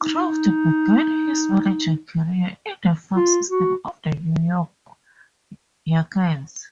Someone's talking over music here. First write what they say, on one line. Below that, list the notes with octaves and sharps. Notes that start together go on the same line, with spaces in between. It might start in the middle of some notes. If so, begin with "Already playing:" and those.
Craft began his managing career in the farm system of the New York Yankees.
D#4
F4
F#4